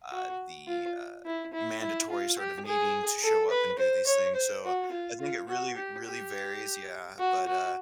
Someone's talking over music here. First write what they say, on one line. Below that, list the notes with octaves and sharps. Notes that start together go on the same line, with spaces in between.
Uh, the, uh, mandatory sort of needing to show up and do these things. So, I think it really, really varies, yeah, but uh
F#4
F4
E4
E4
E4
F4
G4
G#4
A4
B4
C5
C#5
C5
F#4
F4
F4
F#4
G4
G4
F#4
F#4